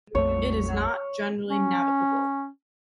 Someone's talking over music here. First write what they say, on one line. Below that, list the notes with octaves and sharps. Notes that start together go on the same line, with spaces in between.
It is not generally navigable.
A#1 F2 A3 C#5
C#4